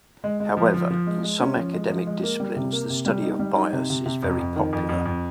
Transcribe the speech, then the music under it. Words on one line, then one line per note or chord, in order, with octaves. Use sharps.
However, in some academic disciplines, the study of bias is very popular.
G#3
G#3
F3
F3
F3
G#3
G#3
C#4
F3
G#3
F3
G#3
A#3
G3
C3
A#3
C3
G3
D#4
G3
D#4
C3
C3
C3
F2
F2
D#3
F2
F2
F2